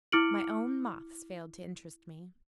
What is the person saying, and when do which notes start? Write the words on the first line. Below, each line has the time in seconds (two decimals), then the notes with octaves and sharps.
My own moths failed to interest me.
0.12 E4 D6 F6 C#7 D7 F#7